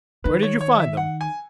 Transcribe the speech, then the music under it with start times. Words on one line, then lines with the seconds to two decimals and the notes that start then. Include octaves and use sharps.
"Where did you find them?"
0.24 D#3 B4
0.43 C#5
0.61 C#5
0.79 E5
0.97 F#5
1.21 G#5